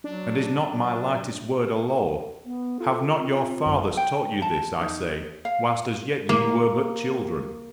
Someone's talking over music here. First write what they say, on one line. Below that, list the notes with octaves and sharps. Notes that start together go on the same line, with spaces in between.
And is not my lightest word a law? Have not your fathers taught you this, I say, whilst as yet ye were but children?
F#3 D4
F#3
B3
F4 A4
C4
G#1 F#2
G5
A5
D#4
F5
A#3